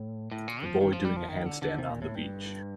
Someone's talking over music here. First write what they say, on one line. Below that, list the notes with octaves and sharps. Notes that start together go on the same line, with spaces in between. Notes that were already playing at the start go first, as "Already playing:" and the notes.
A boy doing a handstand on the beach.
Already playing: A2
A2
A#2
F3
D#3
F3
G3
F3
D#3
D3
D3
C3
A#2
A2
G2